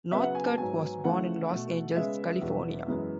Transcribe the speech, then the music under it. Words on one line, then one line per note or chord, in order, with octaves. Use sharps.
Northcutt was born in Los Angeles, California.
C#3 F#3 B3 E5
F#5
G#5
A5
G#2 F#3 B3 G#5
C#3 E3 A3 F#5
B2 A3
C#3 G#3 B3 E5
E2 B2 F#3 B3
F#2 E3 G#3 B3